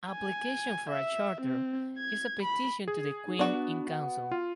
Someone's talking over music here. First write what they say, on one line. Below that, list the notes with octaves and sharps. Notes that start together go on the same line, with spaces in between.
Application for a charter is a petition to the Queen-in-Council.
G#5
E5
C4
G#6
B5
G#4
D#4
B3 D4 F#4 D5
F#5
F4